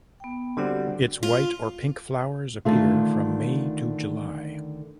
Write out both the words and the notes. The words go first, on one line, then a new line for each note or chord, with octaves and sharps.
Its white or pink flowers appear from May to July.
B3 G5
D3 G3 C4 F#4 D5 F#5
F4
D3 D#3 A3 F4